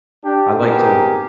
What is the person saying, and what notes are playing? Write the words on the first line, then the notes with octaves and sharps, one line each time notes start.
I like to
D4 G4
B3 C4 D#4 G4 G#4 A#4